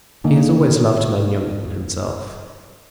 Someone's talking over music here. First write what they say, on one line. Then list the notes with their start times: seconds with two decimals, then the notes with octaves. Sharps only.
He has always loved men younger than himself.
0.24 D3 A#3 D#4